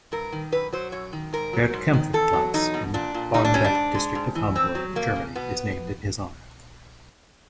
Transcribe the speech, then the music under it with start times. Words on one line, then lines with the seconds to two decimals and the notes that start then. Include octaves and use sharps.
Bert-Kaempfert-Platz, in the Barmbek district of Hamburg, Germany, is named in his honour.
0.12 G2 A#4
0.32 D#3
0.52 F#2 B4
0.73 F#3 C5
0.92 F#2 C#5
1.13 D#3
1.33 G#2 A#4
1.53 F#3
1.73 G#2
1.93 D#3
2.13 E2 A4
2.33 F#3
2.54 E2 D#4
2.74 B2
2.94 A#2 D4
3.14 A#2
3.34 G3 D#4
3.45 D4
3.54 G3 C#4
3.64 D4
3.75 G#2
3.94 G#3
4.15 G#2
4.35 E3
4.55 F2 C4
4.75 F#3
4.95 F2 A#3
5.16 C#3
5.35 B2 B3